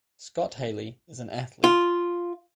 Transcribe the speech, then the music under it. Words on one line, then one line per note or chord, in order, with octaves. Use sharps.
Scott Haley is an athlete.
F4